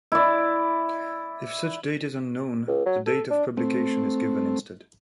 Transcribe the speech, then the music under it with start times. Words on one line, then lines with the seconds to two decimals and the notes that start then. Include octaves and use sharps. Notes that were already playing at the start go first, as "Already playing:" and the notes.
If such date is unknown, the date of publication is given instead.
0.12 E4 D5
2.68 C#2
2.86 F#3
3.07 A4
3.31 D4
3.57 A3 C4